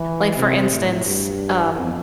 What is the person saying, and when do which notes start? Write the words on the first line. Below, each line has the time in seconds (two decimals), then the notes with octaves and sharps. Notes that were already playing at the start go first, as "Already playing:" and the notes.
like, for instance, um
Already playing: E3
0.36 C3
0.70 A2
1.05 G2
1.72 F2